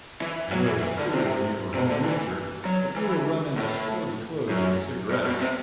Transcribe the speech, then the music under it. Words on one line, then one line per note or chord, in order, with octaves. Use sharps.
I noticed, too, when you were home Easter, that you were running to sporty clothes and cigarettes.
E3
F#3
E3
E3
D3
C3
C3
D3
E3
F#3
E3
A2
F#2
G2
B2
C3